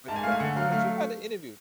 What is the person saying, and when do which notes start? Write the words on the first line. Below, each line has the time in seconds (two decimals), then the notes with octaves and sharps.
But but but check out the interview.
0.08 G#2 A5
0.16 G#5
0.23 A3 F5
0.32 G#5
0.40 D3 F#5
0.56 F#3 F5
0.72 A3 F5